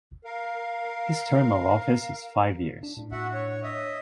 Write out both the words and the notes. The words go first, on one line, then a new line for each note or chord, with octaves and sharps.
His term of office is five years.
A#4 F5
D4
A2 D4
F#4 E5 F#5
C#5
C#5 D#5 E5